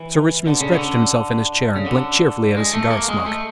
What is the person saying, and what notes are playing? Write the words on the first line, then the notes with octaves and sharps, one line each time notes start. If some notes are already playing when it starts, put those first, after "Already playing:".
Sir Richmond stretched himself in his chair and blinked cheerfully at his cigar smoke.
Already playing: E3
D3
C#3
D3
C#3
D3
G#3
A3
A#3
G#3
A3